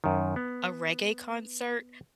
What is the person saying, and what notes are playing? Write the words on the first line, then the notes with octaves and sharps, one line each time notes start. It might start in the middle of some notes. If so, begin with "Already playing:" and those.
a reggae concert,
F#2 D#3
B3